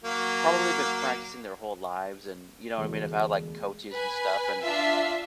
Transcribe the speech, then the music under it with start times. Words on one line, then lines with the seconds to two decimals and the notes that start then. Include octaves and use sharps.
probably been practicing their whole lives and, you know what I mean? Have had, like, coaches and stuff, and
0.04 F#3 A#3
2.77 E1 D2
3.91 B4 G#5
4.63 D4 F4 E5